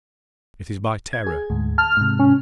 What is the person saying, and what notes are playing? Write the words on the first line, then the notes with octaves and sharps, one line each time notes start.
It is by terror.
G#6
G#4
D2 G#2
A5 F6
G#2 C3
C#4